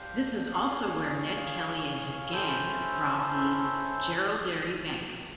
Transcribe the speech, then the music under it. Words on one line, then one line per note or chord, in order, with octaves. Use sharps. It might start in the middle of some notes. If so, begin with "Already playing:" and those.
This is also where Ned Kelly and his Gang robbed the 'Jerilderie Bank'.
Already playing: D4 G4 C5 F5
F4 G#4 C#5 F5
C#4 E4 A4 C5